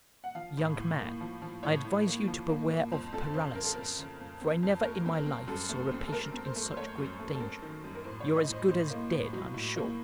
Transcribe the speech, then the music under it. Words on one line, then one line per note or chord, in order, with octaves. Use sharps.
Young man, I advise you to beware of paralysis for I never in my life saw a patient in such great danger; you're as good as dead, I'm sure!
F#5
F3 F5
A2
A2
A#3
F3
F3
A2 C#5
A2
A#3
F3
A#3
A#3
F2 C5
F2 A4
C#3 C5
F2 A#4
A4
F2 A#4
C#3
F2
C4
F2
A3 A#4
C4
A#4
C4
F#2 A4
A3
C4
A4
A3 A#4
C4
C5
A3
C5
A3 C#5
F#2
A3
A4
C4 A#4
D#3
F#2
A#4
A2 C5
A2 C#5
D#5
A2 C5
A2 C5
A#3
A2
F#3
A2
A#3